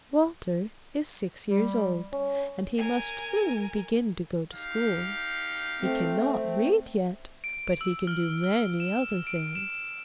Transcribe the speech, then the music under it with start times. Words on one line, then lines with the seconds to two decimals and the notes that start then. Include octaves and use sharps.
Walter is six years old, and he must soon begin to go to school. He cannot read yet, but he can do many other things.
1.48 G3
2.13 C#4
2.78 A#4 G#5
4.54 D#4 G4 F5
5.81 A3 C4
7.44 D7
7.81 E6
8.07 F6
8.44 F6
8.80 E7
9.27 D7
9.55 E7